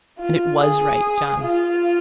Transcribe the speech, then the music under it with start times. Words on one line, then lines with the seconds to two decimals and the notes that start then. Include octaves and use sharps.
And it WAS right, John!
0.19 F4
0.60 G#4
1.42 F4